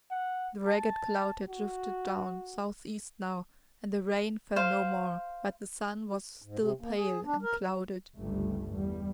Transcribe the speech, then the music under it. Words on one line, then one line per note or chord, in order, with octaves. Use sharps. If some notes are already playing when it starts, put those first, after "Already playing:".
The ragged cloud had drifted down south-east now and the rain fell no more, but the sun was still pale and clouded.
F#5
A5
F#4
C5 F5
G#2
C3
A#3
G#4
D4
A#4
G1 C#2 G2 G3 A3
E2 G3